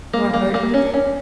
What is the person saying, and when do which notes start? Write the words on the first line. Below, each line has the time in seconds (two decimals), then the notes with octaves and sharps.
"Nor heard anything?"
0.13 A#3
0.34 A#3
0.54 A#3
0.74 C#4
0.94 C#4